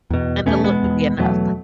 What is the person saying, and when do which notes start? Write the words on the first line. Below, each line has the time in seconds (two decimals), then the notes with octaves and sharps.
and the look can be enough.
0.10 E2 B2
0.46 E2 B2 A3 C#4
0.64 G#3 B3
0.83 E2 B2
1.18 E2 B2 F#3 A3